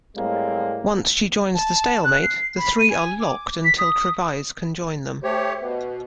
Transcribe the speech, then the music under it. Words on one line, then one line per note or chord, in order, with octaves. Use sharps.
Once she joins the stalemate, the three are locked until Trevize can join them.
A2 G3 G#3 A#3 C4
A5
F#6
C7
B5
D#7
G#5
D6
B6
D#6
A3 G4 C5 C#5
B2 B3